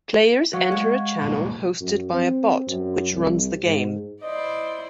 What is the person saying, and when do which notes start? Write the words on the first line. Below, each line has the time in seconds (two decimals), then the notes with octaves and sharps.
Players enter a channel hosted by a bot which runs the game.
0.53 F#3 F5 F#5 C#6
0.72 G#3
1.21 C2 A#2
1.80 F#2
2.11 C4
2.67 F#2
3.13 C2
3.63 G#2
4.23 E4 C5 D5 D#5